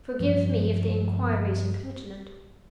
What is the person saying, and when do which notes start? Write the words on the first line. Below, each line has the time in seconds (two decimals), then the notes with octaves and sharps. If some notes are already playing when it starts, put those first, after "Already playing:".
Forgive me if the inquiry is impertinent.
0.20 G2 F3 F#3